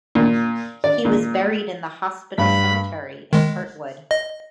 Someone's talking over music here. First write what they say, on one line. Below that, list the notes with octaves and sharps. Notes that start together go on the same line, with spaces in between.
He was buried in the hospital cemetery in Hartwood.
A#2
D5
A#2
G2 B5
D#3 G#3
D#5